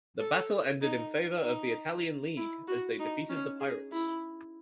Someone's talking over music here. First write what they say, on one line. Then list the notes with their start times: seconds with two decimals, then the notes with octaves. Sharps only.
The battle ended in favor of the Italian league, as they defeated the pirates.
0.20 A4
0.82 D#4
1.44 D#4
2.37 E4
2.68 F#4
2.99 D#4
3.29 C#4
3.60 G#4
3.92 E4